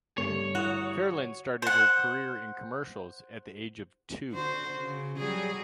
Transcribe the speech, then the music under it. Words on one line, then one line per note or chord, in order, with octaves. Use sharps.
Ferland started her career in commercials at the age of two.
G2 D3 A3 C#5 C#6
E4 F#4 D#6
C#6
C5 F#5
D3 F#4 C5
C#3
F#3 G3 G#4